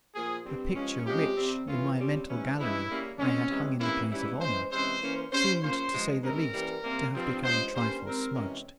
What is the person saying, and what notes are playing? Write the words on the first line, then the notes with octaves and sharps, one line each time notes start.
The picture which, in my mental gallery, I had hung in the place of honour, seemed, to say the least, to have become a trifle smudged.
A#2 F3 A#3 G#4
G2 G3 C4
G2 F3 G#3 C#4
C3 F3 G#3 C#4 G4
C3 G3 C4
E3 A#3 C#4 F4
C#3 G3 C4
G#2 E3 G3 C#4
G2 E3 G#3 C#4 E4
C#3 G3 A#3 C#4
A#2 G#3 C4 C#4
C3 E3 G#3
C3 E3 A#3 C#4 E4
G#2 E3 G3 C#4 E4
E3 G#3 C#4 C5
C3 E3 G#3 C#4 C5
E3 A#3 C#4
C#3 G3 C#4 C5
C#3 F3 A#3 C#4 C5
G2 F3 G#3
C3 E3 G#3 C#4 A#4
E3 G3 A#3 C#4
C3 G3 A#3
G2 F3 C4
G2 F3 G#3 C#4 C5
G2 G3 A#3 C#4 C5
G#2 G3 C4 A#4
C3 E3 G#3 C#4